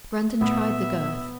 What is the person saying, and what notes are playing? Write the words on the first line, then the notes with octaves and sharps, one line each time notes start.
Brandon tried the girth.
A#2 A3 B3 D4 E5